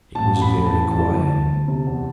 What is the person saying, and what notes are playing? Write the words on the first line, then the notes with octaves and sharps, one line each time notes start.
It was very quiet.
A1 A5
A1
B5
A1
A5
E3
G3 A5
D2
D2
D2
C3
E2